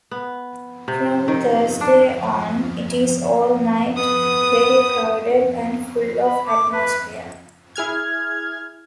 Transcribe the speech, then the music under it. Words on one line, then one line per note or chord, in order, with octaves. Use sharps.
From Thursday on, it is all night very crowded and full of atmosphere.
B3
C3
D#3
D4
B3 D#6
B5
D6
B4
E4 G#4 F6 G#6